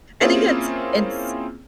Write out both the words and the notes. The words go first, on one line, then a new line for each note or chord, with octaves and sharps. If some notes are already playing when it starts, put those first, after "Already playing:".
I think it's and s
A#3 C4 C#4 E4 F4 G#4